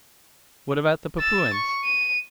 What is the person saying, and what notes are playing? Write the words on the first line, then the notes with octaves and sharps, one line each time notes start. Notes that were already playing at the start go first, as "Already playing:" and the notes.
"What about the Papuans?"
E6 A6
C#6
D#7